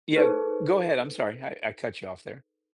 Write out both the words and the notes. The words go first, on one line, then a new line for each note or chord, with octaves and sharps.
yeah, go ahead. I'm sorry. I I cut you off there.
D#4 G#4 A4 B4 C5 C#6